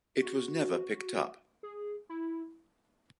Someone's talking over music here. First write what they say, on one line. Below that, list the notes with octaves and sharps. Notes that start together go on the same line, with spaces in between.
It was never picked up.
F#4
G#4
E4